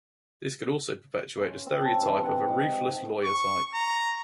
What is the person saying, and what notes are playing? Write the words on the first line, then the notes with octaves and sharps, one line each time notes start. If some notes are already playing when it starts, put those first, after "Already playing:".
This can also perpetuate the stereotype of a ruthless lawyer type.
C#4 F4
C4
C#4 A4
G2 C3 E3 C6
F3 C4 F#5
G#2 D6
C#6
A#5